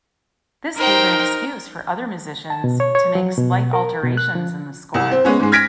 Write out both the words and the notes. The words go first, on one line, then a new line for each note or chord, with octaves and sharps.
This gave an excuse for other musicians to make slight alterations in the score.
D#4 A#4 C5 G5
A5
B2
C#5
C#5
F#3
B2
A#4
B2
F#6
F3
C2
C4
G#3 B3 C#4
G#2 G#3
F6 G#6 A#6 B6 D7